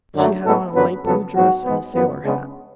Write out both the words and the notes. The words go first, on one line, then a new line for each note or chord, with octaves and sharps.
"She had on a light-blue dress and a sailor hat."
F#2 D3 F#3 A3
A2 G#3 B3 A4
F#2 D3 F#3 B3 B4
F2 C#3 F#3 B3 A4
G#2 F#3 B3 F#4
G#2 G#3 B3
F#2 F3 B3
C#3 G#3 B3 D4